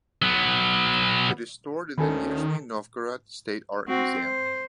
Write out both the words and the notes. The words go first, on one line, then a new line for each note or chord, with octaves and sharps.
It is stored in the Nizhny Novgorod State Art Museum.
F#3 B3
D2 D#3 C#4 A4 G#5 B5
C4 F#4
C5